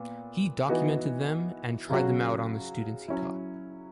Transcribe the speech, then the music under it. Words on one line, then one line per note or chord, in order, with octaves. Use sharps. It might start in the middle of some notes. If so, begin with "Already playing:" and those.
He documented them, and tried them out on the students he taught.
Already playing: A#2 B3
E3 B3 D#4 F#4
C#3 F#3 C#4 F#4
F#3 C#4 E4